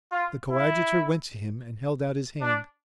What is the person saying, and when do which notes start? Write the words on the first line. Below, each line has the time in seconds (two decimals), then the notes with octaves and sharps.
The coadjutor went to him and held out his hand.
0.11 F4
0.50 E4
2.41 D4